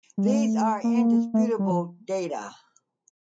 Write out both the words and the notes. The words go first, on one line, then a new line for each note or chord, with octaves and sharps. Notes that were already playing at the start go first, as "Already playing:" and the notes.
These are indisputable data.
G3
G#3
A3
A#3
A3
G3
F3